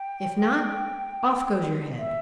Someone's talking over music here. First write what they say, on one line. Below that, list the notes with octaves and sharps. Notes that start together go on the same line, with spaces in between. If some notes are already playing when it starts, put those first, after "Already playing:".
If not, off goes your head.'
Already playing: G5
E5